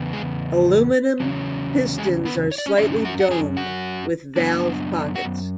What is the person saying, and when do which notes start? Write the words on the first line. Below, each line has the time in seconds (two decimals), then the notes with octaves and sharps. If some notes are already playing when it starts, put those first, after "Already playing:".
Aluminum pistons are slightly domed with valve pockets.
Already playing: E2 C#3 B3
0.13 G#3 G#4
1.20 E2 C#3 F#3 C#4
1.98 G#3 G#4
2.25 B3 B4
2.51 C#5
2.58 D5
2.66 C#4 C#5
2.77 F#2 D3 G#3 C#4 E4 E5
3.05 F#4 F#5
3.20 F#5
3.31 G#4 G#5
3.57 F#4 F#5
4.36 F#2 E3 B3 D4
5.15 F#4 F#5